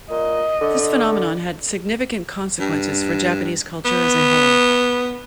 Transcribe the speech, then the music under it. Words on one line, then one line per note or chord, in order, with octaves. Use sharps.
This phenomenon had significant consequences for Japanese culture as a whole.
A#2 D#5
D3
G2
B3